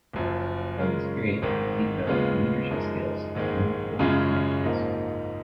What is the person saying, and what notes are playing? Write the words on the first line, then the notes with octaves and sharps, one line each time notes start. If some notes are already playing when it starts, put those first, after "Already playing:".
During this period he developed leadership skills and important connections.
F#1 F#2 F3
C#3 G#3 C#4 F4 A#4
G#1 G#2 D#3
D#2 C#3 G#3 B3 F4
F#2 F3 G#3 D#4 A#4
A#1 G#2 D#3 G#3
F#2 C#3 G#3 C#4 F4
A#1 G#2 F3 A#3 D#4